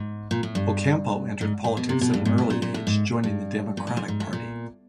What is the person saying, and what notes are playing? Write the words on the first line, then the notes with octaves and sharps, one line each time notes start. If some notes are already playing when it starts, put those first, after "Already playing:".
Ocampo entered politics at an early age, joining the Democratic Party.
Already playing: G#2
A#2
A2
G2
G#2
G#2
B2
C3
B2
G2
G#2
A2
A#2
A#2
A2
G#2
G2
A#2
A2
G#2
G#2
A2
A#2